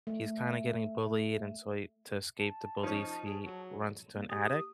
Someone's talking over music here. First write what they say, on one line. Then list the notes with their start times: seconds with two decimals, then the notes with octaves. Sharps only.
he's kinda getting bullied, and so he to escape the bullies, he runs into an attic,
0.07 A3
2.39 A5
2.83 F3 C#4 D#4
3.26 G#4
3.46 F#3
4.14 A#3
4.30 G4 D#6